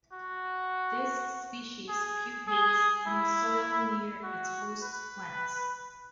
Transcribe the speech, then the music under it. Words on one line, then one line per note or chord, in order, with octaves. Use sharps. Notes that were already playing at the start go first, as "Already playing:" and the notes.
This species pupates in the soil near its host plants.
F#4
G#4
G#4
E4
F#4
B4